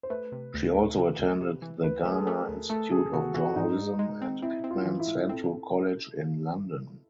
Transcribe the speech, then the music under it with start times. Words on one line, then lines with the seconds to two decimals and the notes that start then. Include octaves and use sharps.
She also attended the Ghana Institute of Journalism and Pitman Central College in London.
0.03 C5
0.10 A3 B4
0.32 C3
0.54 D2
0.75 D2
0.98 C3
1.19 D2
1.41 C3
1.62 E3
1.83 D2 B4
2.06 A3
2.12 G#4
2.20 A4
2.27 A3 A#4
2.49 D2
2.69 A3 A4
2.91 D2 G#4
3.13 C3 F#4
3.34 E3 F#4
3.56 G#2 D#4
3.77 G#2
3.99 G#3
4.21 C4
4.42 C4 E4
4.64 C4
4.71 F4
4.85 E3
5.00 E4
5.07 G#2
5.29 C4 A4